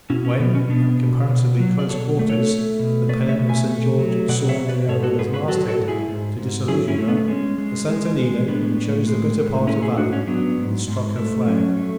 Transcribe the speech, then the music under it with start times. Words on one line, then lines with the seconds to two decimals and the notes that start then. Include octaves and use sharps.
When at comparatively close quarters the pennon of St. George soared to the Arabella's masthead to disillusion her, the Santo Nino chose the better part of valour, and struck her flag.
0.10 B2 C#4 E4
0.25 C#4
0.40 B2 B3
0.55 C#4
0.69 B2 B3 D4
1.00 B2
1.29 B2
1.59 F#3
1.79 D5
1.89 B2 A4 C#5
2.19 A3
2.29 A4 C#5
2.50 A3
2.79 B2
3.09 A3 B4 D5
3.29 C#5 E5
3.39 B2
3.49 E5 G#5
3.69 A3
3.99 F#3
4.28 B2 D5 F#5
4.49 C#5 E5
4.59 B2
4.68 B4 D5
4.88 G#2 A4 C#5
5.03 F#4 A4
5.18 G#2 G#4 B4
5.33 G#4 B4
5.48 F#3 F#4 A4
5.68 F#4 A4
5.79 G#2
5.88 E4 G#4
6.09 G#2
6.38 G#2
6.68 F#3 E4 G#4
6.88 C#4 E4
6.98 A3
7.08 B3 D4
7.28 G#3 C#4
7.58 G#3
7.88 G#3
8.18 G#3
8.48 A2 B3 D4
8.78 A2
9.07 G#3
9.38 A2
9.67 A3 C#4 E4
9.82 E4 G#4
9.97 G#2 D4 F#4
10.13 C#4
10.27 F#3 B3 D4
10.57 G#2
10.88 G#2
11.17 A3
11.47 F#3 C#4
11.77 A3